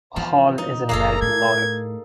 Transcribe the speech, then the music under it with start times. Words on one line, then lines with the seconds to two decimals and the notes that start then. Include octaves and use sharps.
Hall is an American lawyer.
0.16 E3 F3 B3
0.58 D#4
0.89 F#1 F3 A#3 G#4 A4 A#5
1.22 A2 G#6